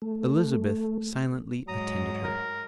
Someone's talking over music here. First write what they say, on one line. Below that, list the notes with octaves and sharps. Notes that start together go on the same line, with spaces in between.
Elizabeth silently attended her.
A3
G#2 F#3 G#3 A#5 D#6
A#4